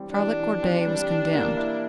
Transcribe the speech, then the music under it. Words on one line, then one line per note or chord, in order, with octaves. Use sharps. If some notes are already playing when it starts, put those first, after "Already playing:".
Charlotte Corday was condemned.
Already playing: E3 G3 C4
D4
E3
E3
C4
G3
E3
A#3
E4